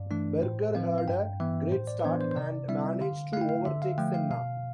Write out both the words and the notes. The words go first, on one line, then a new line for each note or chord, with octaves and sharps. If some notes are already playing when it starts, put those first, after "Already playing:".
Berger had a great start and managed to overtake Senna.
Already playing: G2 D5
E3 A3 D4
A2 C5
F3 C4 F5
F5
G2 G5
E3 B3 E5
A2 C5
D5
B4
E3 B3 D4 C5
C5
C5
C3 D5
G3 C4 E4 E5
D3 F5
A3 E4 F5 G5
F5
D3 E5
F5
F3 A3 G5
F5
B2 F5